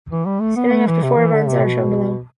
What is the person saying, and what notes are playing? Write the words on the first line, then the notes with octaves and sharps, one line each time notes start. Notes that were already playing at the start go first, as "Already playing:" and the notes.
Standings after four events are shown below.
E3
G3
A3
B3
A3
E3
C3
E3
D3
C3
B2